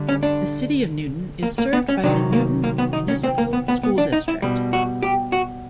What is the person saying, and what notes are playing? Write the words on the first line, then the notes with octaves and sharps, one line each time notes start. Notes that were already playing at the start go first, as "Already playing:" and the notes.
The City of Newton is served by the Newton Municipal School District.
Already playing: D3 G3
C#4
D4
A#3
A#3
B3
C#4
C3 D#3 F#3 D4
A#3
A#3
B3
D#4
C#4
C4
A#3
B3
B3
B3
D4
D#4
E4
B2 G3
F#4
G4
F#4